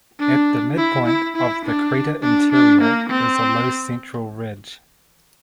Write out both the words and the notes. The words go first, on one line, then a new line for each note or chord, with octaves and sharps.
At the midpoint of the crater interior is a low central ridge.
D4
E4
E4
E4
D4
D4
D4
A#3
C4